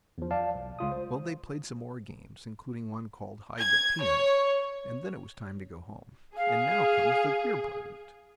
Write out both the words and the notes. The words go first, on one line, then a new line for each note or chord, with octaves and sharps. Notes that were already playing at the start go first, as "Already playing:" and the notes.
Well, they played some more games, including one called hide the peanut, and then it was time to go home; and now comes the queer part of it.
E2 F3
D5 F5 A5
B1
C#2 F4 D#6
C5
G#6
C#5
G#4 F5